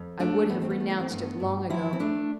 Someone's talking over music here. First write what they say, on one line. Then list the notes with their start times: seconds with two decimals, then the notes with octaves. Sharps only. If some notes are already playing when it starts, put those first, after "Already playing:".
I would have renounced it long ago.
Already playing: F2
0.20 A3 D4
0.49 E3 B3
0.62 C4
0.70 B3
0.80 A3
0.90 B3
1.00 C4
1.10 G2 B3
1.40 G2
1.70 F3 E4
1.93 C4
2.00 A3 D4